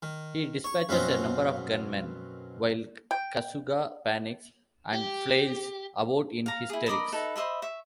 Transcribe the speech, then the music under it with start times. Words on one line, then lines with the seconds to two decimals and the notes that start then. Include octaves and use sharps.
He dispatches a number of gunmen while Kasuga panics and flails about in hysterics.
0.02 D#3
0.64 C#5 C#6
0.89 F#2 B2 F#3 A#3 C4 D#4
3.11 G5
4.93 G4
6.46 F5 A#5
6.69 E4 G#4
6.86 A#4 D5 D#5 B5
7.12 D#4 A4 B4 E5
7.36 C5 D#5 E5 B5
7.62 E5 C#6